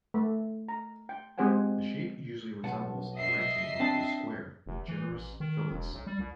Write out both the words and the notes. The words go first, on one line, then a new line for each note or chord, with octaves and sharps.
The shape usually resembles a rectangle or square with generous fillets.
A3
A#5
G5
G#3 C4 G4 C5 F#5 G#5
B1 F#5 A5
D#5 E5 C7
C4 D4 A5
F1
E3
A1
D#3
E1
B1
G3
C2